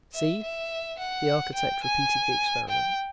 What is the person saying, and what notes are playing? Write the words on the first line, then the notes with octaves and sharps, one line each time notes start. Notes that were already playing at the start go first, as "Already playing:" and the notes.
"See?" The architect repeated the experiment.
E5
E5
F#5
G5
G#5
G5